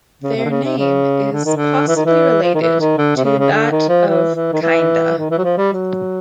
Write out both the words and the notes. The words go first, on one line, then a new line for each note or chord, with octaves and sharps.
Their name is possibly related to that of Kinda.
C#3
C3
D3
C#3
C3
C#3
D3
D#3
D3
E3
D#3
E3
F3
D#3
E3
D#3
D3
C3
C#3
C#3
D3
D#3
F3
E3
E3
D#3
E3
D#3
E3
F#3
F3
G3
F#3